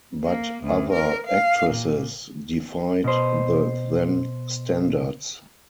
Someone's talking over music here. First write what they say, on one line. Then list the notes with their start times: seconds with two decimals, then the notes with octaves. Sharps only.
But other actresses defied the then standards.
0.24 A#3
0.63 D2
0.93 A#4
1.27 F5
1.70 A#2
3.04 B2 C5